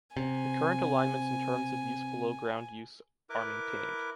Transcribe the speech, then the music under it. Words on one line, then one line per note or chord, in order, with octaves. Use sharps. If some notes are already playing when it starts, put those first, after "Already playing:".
The current alignments in terms of use below ground use are maintained.
C3 G#5
E4 A#4 B4 D6